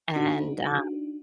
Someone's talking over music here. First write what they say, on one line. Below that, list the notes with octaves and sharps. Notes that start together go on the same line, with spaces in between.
and, um
D4 D#4 F#4